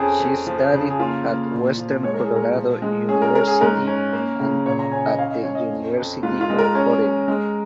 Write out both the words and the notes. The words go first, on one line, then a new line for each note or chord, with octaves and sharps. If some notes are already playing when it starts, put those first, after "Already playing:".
She studied at Western Colorado University and at the University of Oregon.
Already playing: F2 C#4 G#4
F2
F3
C#3
G#4
A#3 F4
A#3
A#2
F3
G#3 C#5
A#4
G#4
A#2
A#4
F3
G#3
C#4 G#4
A#4
C#4 A#4
G#4
G#2 A#4
C#4
A#3
C#3
A#2 C#5
A#5
C#4 G#5
D#5
C#4 F5
D#5
C#4 C#5
D#5
F2
F2
G#2 F4
F4
G#3
A#4
C#4
C#4
G#3